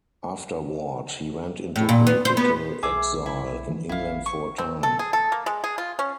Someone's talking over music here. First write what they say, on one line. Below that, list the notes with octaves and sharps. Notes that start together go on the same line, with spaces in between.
Afterward he went into political exile in England for a time.
A2
A#2
B3
C5
B3
B1 G#4 E5 D6
E4
B1
E3
A1 E4 F5
C#6
C4
A4
G#4
A4
A#3
G#3
G#4
F4
C#4